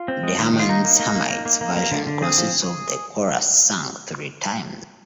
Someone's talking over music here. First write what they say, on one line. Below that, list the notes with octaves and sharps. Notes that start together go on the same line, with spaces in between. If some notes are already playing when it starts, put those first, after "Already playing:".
The Herman's Hermits version consists of the chorus sung three times.
Already playing: F4
C4
G#3
D#3
D#3
F4
A#3 D#4
A#3
A#3
A#3
A#3
A#3
A#3
A#3
D3
D3
C4 G#4
F3